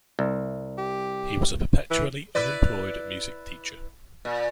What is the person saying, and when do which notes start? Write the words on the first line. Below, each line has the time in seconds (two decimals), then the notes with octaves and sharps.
He was a perpetually unemployed music teacher.
0.19 C2
0.78 G4
1.90 E3
2.35 E4 B4 D5
4.25 A#2